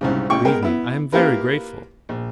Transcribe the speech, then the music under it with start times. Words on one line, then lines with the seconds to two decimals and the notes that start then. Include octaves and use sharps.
Believe me, I am very grateful.
0.01 C2 G#2 C#3
0.30 A1 C#3 G5 C#6
0.45 G#3 B3 A#4 G5
0.63 B3 E4
1.12 A#3 E4 F4 G4 A#4 B4
2.09 A#1